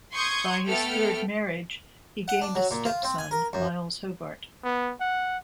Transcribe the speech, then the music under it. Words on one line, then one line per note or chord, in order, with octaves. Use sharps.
By his third marriage he gained a stepson, Miles Hobart.
C6 C#6 D#6 G6 G#6
A3 B3 A4 G5 F6
F#5
D4
F#3
A#2
F4
C4
G#5
A#4
F#2
B3
F#5